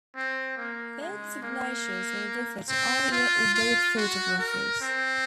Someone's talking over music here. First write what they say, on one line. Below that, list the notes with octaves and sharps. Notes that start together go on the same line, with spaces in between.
Both signatures may refer to either or both photographers.
C4
A#3
G#3
A#3
C4
F4
F4
F#4
A#4
C4